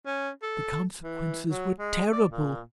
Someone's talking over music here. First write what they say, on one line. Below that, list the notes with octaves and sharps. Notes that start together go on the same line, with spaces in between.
The consequences were terrible.
C#4
A4
E3
F#3
G#3
D5
A#2